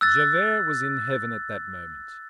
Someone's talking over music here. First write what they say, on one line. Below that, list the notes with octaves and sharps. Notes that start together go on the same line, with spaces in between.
Javert was in heaven at that moment.
E6 F#6 A6